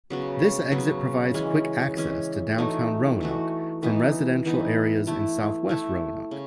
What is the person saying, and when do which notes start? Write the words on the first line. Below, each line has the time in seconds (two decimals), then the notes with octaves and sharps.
This exit provides quick access to downtown Roanoke from residential areas in southwest Roanoke.
0.10 C#3 F#3 B3 F#4
0.72 C#3 F#3 B3 F#4
1.34 E3 G#3 C#4
1.97 E3 G#3 C#4
2.58 E3 A3 D#4 F#4
3.21 E3 A3 D#4 F#4
3.83 E3 B3 D#4
4.46 E3 B3 D#4
5.07 A3 E4 A4
5.69 A3 E4 A4
6.31 C#3